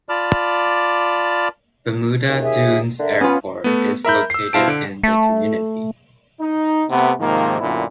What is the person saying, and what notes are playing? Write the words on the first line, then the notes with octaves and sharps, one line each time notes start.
Bermuda Dunes Airport is located in the community.
F4 D5 A5 B5 D6 F6
D#2
G#4 E5
D3 A#4 E5
B3 C#4 F4 G#5 B5
A3 B3
A#4 E5 B5 G6
E6 C7
B2 E4 C5 F5 A5 D7
D3 D7
A3
D#4
C3 A3 B3
G#2 C3 D#3 F3 A#3
F#2 A#2 D3 B3 E4